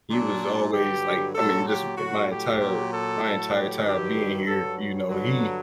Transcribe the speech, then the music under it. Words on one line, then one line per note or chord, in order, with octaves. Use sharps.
he was always like, I mean just i my entire my entire time being here, you know, he
A#2 F#3 D4
G2 D3 F#3 G4
A#2 F#3 A4
G4
A2 F#3 F#4
G4
A#2 F#3
A4
A2 F#3
G4
G2 D#3 F#3 G4
G2 F#3 A4
G2 D3 F#3